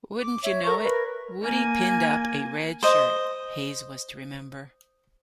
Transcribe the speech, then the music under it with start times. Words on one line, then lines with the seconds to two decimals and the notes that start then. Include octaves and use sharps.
"Wouldn't you know it, Woody pinned up a red shirt," Hays was to remember.
0.21 D6
0.43 C#5 E5
0.65 A4 A#4 A#5 C#6
0.81 A#4 B4
1.41 A#3 G#5
2.83 C5 D#5